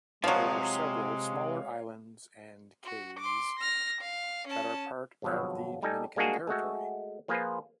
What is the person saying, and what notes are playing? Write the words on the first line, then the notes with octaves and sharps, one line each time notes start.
There are several smaller islands and cays that are part of the Dominican territory.
C3 F3 F#3 G#3 C#5 F5
F#4
C6 D6
F6 A#6
F5
C#4 A5
G#1 G2 B2 F3 F#3
G3 D#4 A4 G#5
G3 G#3 A#3 D4 F#4 G#4
G#3 A3 F#4 E5
F3 A#3 F4 G#4 B4 C5